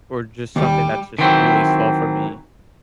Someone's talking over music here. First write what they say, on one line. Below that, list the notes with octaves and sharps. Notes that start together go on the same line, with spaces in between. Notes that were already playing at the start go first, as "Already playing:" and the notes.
or just something that's just really slow for me.
D#2 G3
D#3 E3 F#3 C4 E4